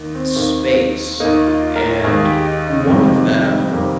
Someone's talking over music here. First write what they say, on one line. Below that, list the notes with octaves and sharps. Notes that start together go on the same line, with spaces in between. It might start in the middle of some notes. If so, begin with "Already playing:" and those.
space, and one of them
Already playing: D#2 D#3
C4
D#2 D#3 A#3
D#2 D#3 A#3 D#4
F4
A#4
D#2 D#3 A#3 G#4
G4
D#4
D#4
F2 C3 D#3 G3 A#3
F2 C3 D#3 G3 A#3